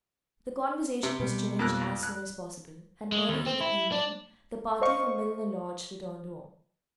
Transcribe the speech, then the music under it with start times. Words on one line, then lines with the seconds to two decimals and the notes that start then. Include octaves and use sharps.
The conversation was changed as soon as possible, and early in the evening the party from Milner Lodge returned home.
1.03 C3
1.20 B2 G3
1.59 F2 A#3 F#6
2.03 F#6
3.12 G#3
3.29 D#2
3.46 C4
3.61 E4
3.92 D4
4.81 C5 D#5 F5 C#6